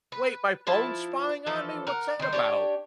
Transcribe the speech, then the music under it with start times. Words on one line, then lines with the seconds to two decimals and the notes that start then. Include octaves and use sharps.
"Wait, my phone's spying on me, what's that about?"
0.12 B4
0.67 F3 E4 A5
1.46 E3 F3 A4
1.87 A#4 F#5
2.20 D#3 C5
2.33 D4 G4 C5 C#5